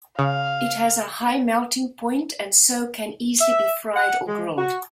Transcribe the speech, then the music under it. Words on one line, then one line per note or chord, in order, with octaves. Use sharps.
It has a high melting point and so can easily be fried or grilled.
C#3 F5
E5
F#5
G#3
F#4